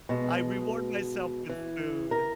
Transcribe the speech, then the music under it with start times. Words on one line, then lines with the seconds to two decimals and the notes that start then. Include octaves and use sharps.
I reward myself with food,
0.09 B2 G#3
1.49 E3
2.11 A#4